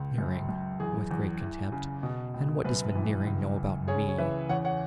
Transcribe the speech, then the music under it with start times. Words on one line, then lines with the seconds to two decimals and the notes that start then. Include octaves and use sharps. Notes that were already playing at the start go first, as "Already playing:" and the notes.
'Veneering!' with great contempt.' And what does Veneering know about me!'
Already playing: C#2
0.18 F#2
0.49 F#2
0.80 E2 G#4
1.11 E2
1.41 E3
1.72 C#3
2.03 B2
2.34 C#2
2.65 F#2 B4
2.95 E3
3.26 C#2
3.57 C#2
3.88 C#3 G#4 C#5
4.08 C#5
4.18 E3 B4 E5
4.49 E2 C#5 F#5
4.65 C#5 F#5